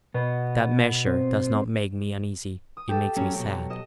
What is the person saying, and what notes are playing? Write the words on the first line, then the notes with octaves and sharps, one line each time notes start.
That measure does not make me uneasy, it makes me sad.
B2 B3
C4 C5
D#6
G4 A4
F#3 C#4
B2 F#3 G5
D#5 E7